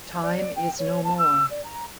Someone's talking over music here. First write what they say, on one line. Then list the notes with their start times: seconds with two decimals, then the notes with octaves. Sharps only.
Time is no more.
0.23 D5
0.36 D5
0.56 G5
0.78 C#5
1.04 A5
1.18 E6
1.50 D5
1.64 A#5